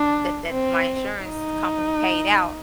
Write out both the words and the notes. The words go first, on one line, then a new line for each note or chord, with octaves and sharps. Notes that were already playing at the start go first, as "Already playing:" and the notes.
that that my insurance company paid out.
Already playing: D4
C4
D#4